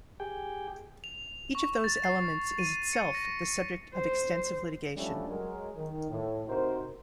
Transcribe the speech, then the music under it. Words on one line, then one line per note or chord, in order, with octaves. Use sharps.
Each of those elements is itself the subject of extensive litigation.
G4 G#4 G5
F7
C#6
A6
C7
D#7
C#7
A#6
C5
E3 F3 G3 A3 C#4 D4
F#3 G#3 A#4
D#3
A2
C3 D#4 F#4 A#4 C5